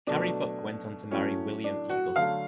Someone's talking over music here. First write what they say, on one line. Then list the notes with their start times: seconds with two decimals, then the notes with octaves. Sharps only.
Carrie Buck went on to marry William Eagle.
0.07 B2 F#3 A3 D4
1.11 A2 F#3 A3 C#4
1.64 D4
1.90 F#4
2.16 D3 F#3 A3 F5